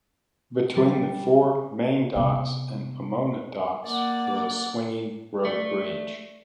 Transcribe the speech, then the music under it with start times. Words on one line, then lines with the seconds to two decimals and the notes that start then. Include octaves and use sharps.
Between the four main docks and Pomona docks was a swinging road bridge.
0.76 G3
2.15 C3 B3
3.86 A#3 D5 F#5
5.45 A3 D5